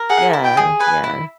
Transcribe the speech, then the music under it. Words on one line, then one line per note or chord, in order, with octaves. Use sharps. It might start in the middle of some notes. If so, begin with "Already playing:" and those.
Yeah. Yeah.
Already playing: A#4
G#4 F#5
E4
G5
G#4
B4 G#5
E4